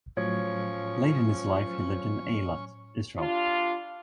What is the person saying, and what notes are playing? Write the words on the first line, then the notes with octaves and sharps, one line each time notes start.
Late in his life, he lived in Eilat, Israel.
A2 F3 F#3 C#4 C#5 C#6
G3 D4 F4